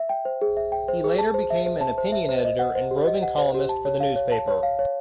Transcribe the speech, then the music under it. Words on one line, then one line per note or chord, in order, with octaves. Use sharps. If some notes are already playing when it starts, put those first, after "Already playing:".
Later he became an opinion editor and roving columnist for the newspaper.
Already playing: E5
G5
C5
G#4
E5
G5
C5
G#4
A5
C5
E5
C5
A5
C5
E5
C5
D#5
F#5
C5
G4
D#5
F#5
C5
G4
A5
C#5
F5
C#5
A5
C#5
F5
C#5